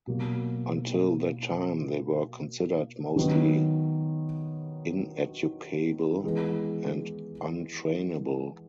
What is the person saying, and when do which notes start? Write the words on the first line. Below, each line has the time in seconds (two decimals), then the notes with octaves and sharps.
Until that time they were considered mostly ineducable and un-trainable.
0.07 B2 F#3 A#3
3.16 D#3 F#3 B3 D#4
6.24 E3 G#3 B3